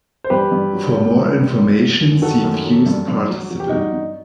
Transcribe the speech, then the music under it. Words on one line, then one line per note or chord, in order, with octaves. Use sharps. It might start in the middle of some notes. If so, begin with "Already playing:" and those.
For more information see fused participle.
C5
G2 G4 B4
G2
F#3
F#3
G2
G2
F#2
F#3
F#2
D#3 F#4 A4
F#2
F#3
G2
G2
F#3
F#3 F#4
G4
G2 D#4 F#4
G2